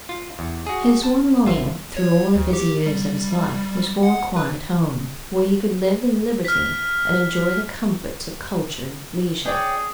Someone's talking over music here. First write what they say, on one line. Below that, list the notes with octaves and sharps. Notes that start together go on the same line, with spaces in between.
His one longing through all the busy years of his life was for a quiet home, where he could live in liberty and enjoy the comforts of cultured leisure.
F4
E2
F#4 G#4
A5
G#1 F4 E5
C#5
D2
G4
G3
F#5
B4
F6 B6
G#4 C#5 D5 G5